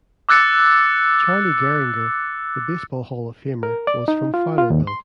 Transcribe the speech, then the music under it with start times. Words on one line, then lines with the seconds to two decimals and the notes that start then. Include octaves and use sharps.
Charlie Gehringer, the baseball Hall of Famer, was from Fowlerville.
0.29 D6 E6 F#6 A6 C#7
3.63 A#4
3.87 D5
4.08 D#4
4.34 F4
4.58 F4
4.70 D#2
4.87 C6